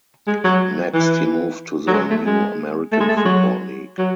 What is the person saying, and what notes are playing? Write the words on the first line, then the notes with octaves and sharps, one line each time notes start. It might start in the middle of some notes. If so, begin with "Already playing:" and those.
Next, he moved to the new American Football League.
G#3
F#3
E3
F#3
G#3
A3
G#3
A3
G#3
A3
G#3
F#3
F#3